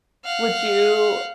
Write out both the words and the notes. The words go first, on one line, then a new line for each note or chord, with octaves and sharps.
Would you
F5 F#5